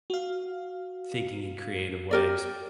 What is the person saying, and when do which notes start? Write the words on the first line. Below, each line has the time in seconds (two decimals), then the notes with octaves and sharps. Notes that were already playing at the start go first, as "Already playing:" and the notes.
thinking in creative ways.
0.10 F#4 F5
2.11 G4 A#4 D5